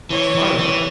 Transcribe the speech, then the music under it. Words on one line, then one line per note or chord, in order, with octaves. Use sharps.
'Much farther!
E3 C#5
E3
E3